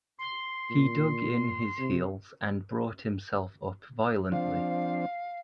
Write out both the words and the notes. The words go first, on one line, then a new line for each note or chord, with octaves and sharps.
He dug in his heels and brought himself up violently.
C6
A#2
C3
F3 C4 D4 F5